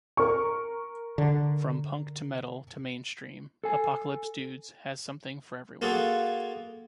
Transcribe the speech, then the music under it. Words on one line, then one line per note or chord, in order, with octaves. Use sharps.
From punk to metal to mainstream, "Apocalypse Dudes" has something for everyone.
A#4 C#6
D3
A4 G#5
A#3 F4 F#4 G#4 A4